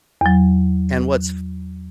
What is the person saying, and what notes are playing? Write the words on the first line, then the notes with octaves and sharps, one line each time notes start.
And what's f
E2 F#3